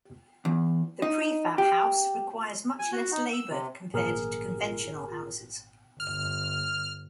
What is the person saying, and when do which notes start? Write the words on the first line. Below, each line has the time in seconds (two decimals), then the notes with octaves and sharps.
The prefab house requires much less labor compared to conventional houses.
0.45 E2
1.02 D#4
1.58 G4
2.79 G#5
2.92 F#4
3.12 D#4
3.33 E6
3.50 C3
3.94 G#1 A#2 G#4 A#4 F6
6.00 G1 F6